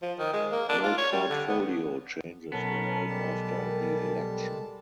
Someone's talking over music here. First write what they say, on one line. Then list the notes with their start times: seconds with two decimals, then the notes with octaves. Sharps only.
No portfolio changes were made after the election.
0.02 F3
0.19 D#3
0.33 G#3
0.51 A#3
0.69 D4
0.83 F4
0.98 C#5
1.12 G3
1.30 D3
1.48 B3
2.52 B1 B3 C#4 A4 A#4 A5
3.07 G3 G#3 A#4 A5